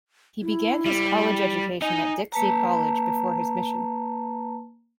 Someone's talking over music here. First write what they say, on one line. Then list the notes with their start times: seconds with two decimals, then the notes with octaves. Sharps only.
He began his college education at Dixie College before his mission.
0.42 E4
0.85 G3
1.82 D#4 D#5 G#5
2.32 A#3 B4 A5 A#5